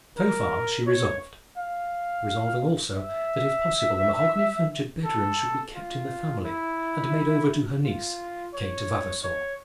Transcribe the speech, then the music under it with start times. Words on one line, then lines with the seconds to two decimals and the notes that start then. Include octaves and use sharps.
So far she resolved,--resolving also that, if possible, the mahogany-furnitured bedrooms should be kept in the family, and made over to her niece, Kate Vavasor.
0.17 A#4
0.87 C#5
1.57 F5
2.96 E5
5.05 A4
5.75 F4
6.45 E4
7.84 F4
8.53 C#5
9.23 C#5